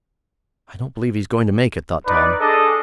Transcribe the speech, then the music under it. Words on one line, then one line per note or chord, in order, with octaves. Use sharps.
"I don't believe he's going to make it," thought Tom.
D#4 B4 D5
D4 G#4 A4 D#5 D6